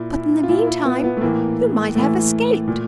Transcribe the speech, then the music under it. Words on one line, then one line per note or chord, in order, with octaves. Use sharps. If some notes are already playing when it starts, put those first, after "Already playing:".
"But in the meantime you might have escaped."
Already playing: A#2 E4
E4
F4
A#2 E4
E4
B3
B3
A3
A2 E3 A#3
A2 E3 A3
A#2